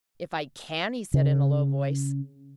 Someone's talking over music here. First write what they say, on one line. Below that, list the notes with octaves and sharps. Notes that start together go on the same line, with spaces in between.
"If I CAN!" he said, in a low voice.
C#3